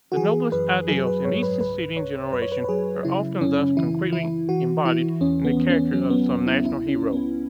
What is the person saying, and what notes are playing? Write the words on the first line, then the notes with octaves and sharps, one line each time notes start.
The noblest ideals in each succeeding generation are often thus concretely embodied in the character of some national hero.
F#4
E3 G#4
F#2 B4
F#3 G#4
B4
G#2 C#5
B4
C#2 B4
C#2 C#5
F#2 B4
C#5
B4
B4
F#3 G#4
C#3 E4
F#2 C#4
E3 E4
E3 E4
E3 F#4
E3 E4
E2 C#4
B3
E2
C#4
F#3 C#4
B3
E2 C#4
E4
C#2 E4
C#4
C#2
B3